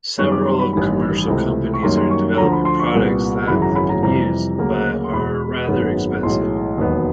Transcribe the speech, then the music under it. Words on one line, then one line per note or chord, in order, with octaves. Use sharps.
Several commercial companies are developing products that have been used, but are rather expensive.
F#2 D#3 G3 B3 C#6
D6
C6
B5
A1 G2 D#3 G3 B5
C#2 C3 E3 A3
C#6
F#2 D#3 G3 A#3 C6
C6
C#6
D2 D3 F3 A#5
B5
C6
C#6
C2 A#2 G3 B3
G#1 F#2 C#3 E3 B5
A#5
B5
A#5
F2 C3 E3 G3 A#5
D2 C#3 F#3 A#3
C6
E2 B2 G#3 B5
G#1 F#2 D#3 G#3 B3
B1 A2 E3 G#3 C6
E1 D#2 D#3 F#3 B3